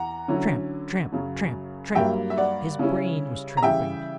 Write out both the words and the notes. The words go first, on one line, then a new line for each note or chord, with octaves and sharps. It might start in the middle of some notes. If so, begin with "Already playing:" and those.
Tramp, tramp, tramp, tramp; his brain was tramping.
Already playing: E2 F#5 A#5
D3 F#3 C#4 E4
F#2 C#3 F#3
G2 F#3 A#3 E5 G5
E5
D5 F#5
C#3 G3 C#4 E4
A#5
C#3 E3 G3 E5 G5